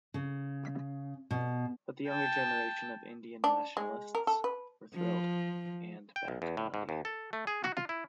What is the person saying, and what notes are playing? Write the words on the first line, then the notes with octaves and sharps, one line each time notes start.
But the younger generation of Indian nationalists were thrilled, and backed Gandhi.
C#3
B2
G5 A5
D4
G#3
A#4
A4
B4
F3
G5
B1
E2
A2
G#2
D#2
A4
A3
G#4
F#4
F4
E4